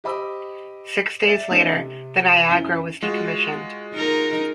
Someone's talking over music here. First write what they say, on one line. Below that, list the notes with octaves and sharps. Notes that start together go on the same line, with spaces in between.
Six days later, the "Niagara" was decommissioned.
G4 C5 D#5 B5 D6 E6
D5 E5 A6
A3 B3 C#4 D#4
C3
F#2 E4 B6 G7
G#3 F4 F#4
D#4 A#4